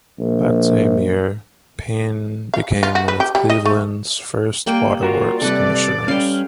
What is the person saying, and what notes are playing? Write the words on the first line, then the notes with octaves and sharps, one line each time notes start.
That same year, Payne became one of Cleveland's first water works commissioners.
A#1
F5
F4
F#4
B4
G4
G3
D#5
A3
G3 A#3 G5
F4 F#4 A#4 C#5
C3 G3 A4 B4 D5
G3 C#4 F5 G5